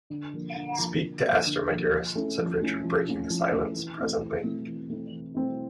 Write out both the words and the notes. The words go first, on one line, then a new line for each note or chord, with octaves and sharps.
"Speak to Esther, my dearest," said Richard, breaking the silence presently.
D3
F3 A#3
D3
F3 A#3
D3
F3 A#3
D3
F3 A#3
F3
A3 C#4 E4
F3
A3 C#4 E4
F3
A3 C#4 E4
F3
A3 C#4 E4
E3
A3 C4 E4
E3
A3 C4 E4
E3
A3 C4 E4
E3
A3 C4 E4